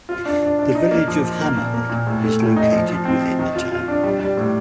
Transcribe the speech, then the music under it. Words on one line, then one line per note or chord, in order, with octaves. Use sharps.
The Village of Hammond is located within the town.
F4
D4
D4
D4
D#4
A#3
F3
F3
A#3
A#2
A#3
A#2
A2
A3
A2
D#4
F3
F3
C4
F3
D#3
F4
F4
D4
G3
G3
A2